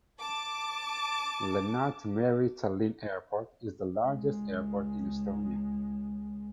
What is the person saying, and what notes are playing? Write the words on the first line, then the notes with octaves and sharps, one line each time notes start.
Lennart Meri Tallinn Airport is the largest airport in Estonia.
A5 D6
C#2 G#3